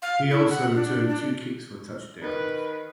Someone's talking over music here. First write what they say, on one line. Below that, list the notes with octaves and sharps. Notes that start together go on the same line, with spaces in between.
He also returned two kicks for touchdowns.
F5
E4
F#5
D4
D4
D#3 B4